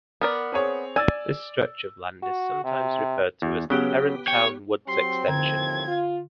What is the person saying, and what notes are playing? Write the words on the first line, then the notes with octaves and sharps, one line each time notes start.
This stretch of land is sometimes referred to as the Herrontown Woods extension.
B3 A#4 D5
C4 G#4 C#5
D5 G#5 E6 A6
F#4
C3
E2
C#3 F#3 B3 G4
C#5 G5
F#3 C4 G4 C6
D#2 A2 D3 F3 G#6
F4